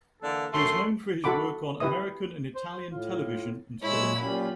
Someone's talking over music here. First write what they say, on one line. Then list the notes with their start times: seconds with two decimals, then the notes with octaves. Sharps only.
He is known for his work on American and Italian television and film.
0.22 D3 E3 A#3 D4 A4
0.53 F#2 F#3 A3 C6
1.24 E4 F#4 A4 F#5 B5 D6
1.80 E4 G4 B4 E5 D#6
2.55 C5
2.91 A2 F4
3.82 A#2 F#3 G#3 E4 C#5 E6
4.20 A#2 C#4 F4 G4 B5